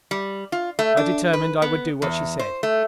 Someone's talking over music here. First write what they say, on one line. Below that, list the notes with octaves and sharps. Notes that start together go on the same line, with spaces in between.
I determined I would do what she said.
G3
F4
A3
D4
B4
B3
E2
C5
A3